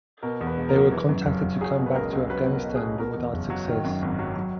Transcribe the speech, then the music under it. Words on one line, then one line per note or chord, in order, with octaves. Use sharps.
They were contacted to come back to Afghanistan but without success.
B2 A#4
E2
B4
E1
A#4
F#3
E3
F#2
F#1
F#1
F#3 G#4
B2
B4
C#2 A#4
C#2
F#3 B4
B2
A#4
B1
G#4
B1
B2 A#4
E2
F#1
F#3
D#3
F#2
G#1
F#3
F#3